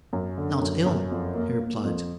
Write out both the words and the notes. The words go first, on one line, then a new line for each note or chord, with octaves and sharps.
"Not ill," he replied.
F#2
D3
F#2
F#2
F2
A#3
A#3
F2